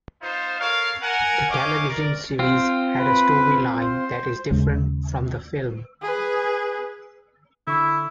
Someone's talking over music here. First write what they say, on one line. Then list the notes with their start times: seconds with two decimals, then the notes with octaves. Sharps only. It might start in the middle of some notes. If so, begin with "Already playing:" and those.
The television series had a storyline that is different from the film.
0.22 B3 D#4 F4 C5
0.59 A4 A#4 C#5 F5
1.02 A#4 F#5 G#5
1.50 G3 C#4 C#5 D#5 F5 D6
1.89 A#4 D5
2.39 C4 F4
2.98 B4
3.79 C5
4.51 D#2 C#3 G#3
6.02 G#4 B4
7.67 D3 E4 C#6